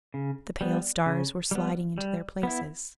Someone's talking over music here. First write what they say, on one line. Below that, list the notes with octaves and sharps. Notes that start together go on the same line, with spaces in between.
The pale stars were sliding into their places.
C#3
G3 B3
C#3
G3 B3
G3
B3 E4